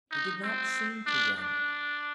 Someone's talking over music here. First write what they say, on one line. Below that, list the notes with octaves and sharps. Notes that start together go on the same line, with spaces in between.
He did not seem to run.
D#4
C4
D4
D4